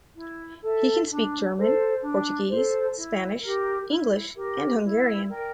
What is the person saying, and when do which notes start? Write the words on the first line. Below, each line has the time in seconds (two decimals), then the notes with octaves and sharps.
He can speak German, Portuguese, Spanish, English and Hungarian.
0.15 E4
0.62 A4 E5
1.09 D4
1.55 A4 C5
2.01 D4
2.49 A4 C5
2.95 E4
3.42 G4 A#4
3.89 E4
4.35 G4 A#4
4.82 E4
5.28 A#4 D5 G5